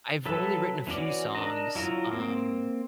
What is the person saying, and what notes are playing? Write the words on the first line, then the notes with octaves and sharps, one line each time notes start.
I've only written a few songs. Um,
F#3 A4 B4 E5
E3 C#4 F#4 D5
D4 A#4 D#5 A#5
F#3 E4 F4 A#5
A#3 C4